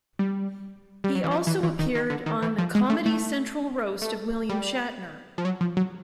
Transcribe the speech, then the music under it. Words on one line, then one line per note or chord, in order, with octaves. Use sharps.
He also appeared on the "Comedy Central Roast of William Shatner".
G3
G3
F#3
E3
F3
E3
E3
D#3
D#3
D3
D#3
E3
F3
G#3
A3
A3
A3
G3
F3
F#3
F3
F#3